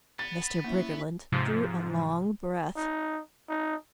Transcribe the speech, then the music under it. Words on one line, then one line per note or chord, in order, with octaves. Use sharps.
Mr. Briggerland drew a long breath.
B3 A6
A#3 C#4 E4
G#2 C3 F3
D#4
D#4